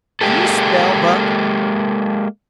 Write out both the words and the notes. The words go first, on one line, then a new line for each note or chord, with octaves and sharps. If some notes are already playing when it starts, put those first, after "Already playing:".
"Can you spell, Buck?"
G#3 A#3 C#4 E4 G4 A4